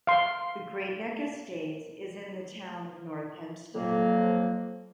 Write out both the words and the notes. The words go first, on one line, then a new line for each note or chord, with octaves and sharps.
The Great Neck Estates is in the Town of North Hempstead.
F5 C6
F2 F#3 A#3